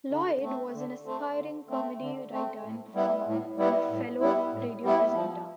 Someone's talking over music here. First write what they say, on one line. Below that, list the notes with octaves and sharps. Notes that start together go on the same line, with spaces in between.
Lloyd was an aspiring comedy writer and performer, and a fellow radio presenter.
D3
A3 C4
D3
A3 C4
D3
A3 C4
D3
A3 C4
A2
G3 B3 E4
A2
G3 B3 E4
A2
G3 B3 E4
A2
G3 B3 E4
F3